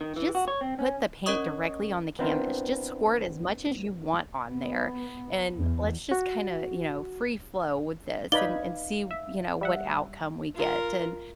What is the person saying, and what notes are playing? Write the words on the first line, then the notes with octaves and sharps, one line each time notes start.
just put the paint directly on the canvas. Just squirt as much as you want on there, and let's just kinda," you know, "free flow with this and and see, you know, what outcome we get." And,
D#3
E3
F#4
C#5
C4
C#4
C#4 A#4 C#5 D#5 C#6 D#6
B3 C4 D4 E4 A#4 C5
B3
E2
F#4
D#4 B4 D5 F5 B5 G#6 G7
E5
G3 E5 F#5
F4 A#4